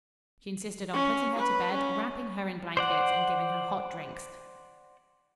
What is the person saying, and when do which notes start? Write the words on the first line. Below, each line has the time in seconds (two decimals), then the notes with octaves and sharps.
She insisted on putting her to bed, wrapping her in blankets and giving her hot drinks.
0.93 C#4
1.38 B4
1.73 C#4
2.77 C5 D5 F#5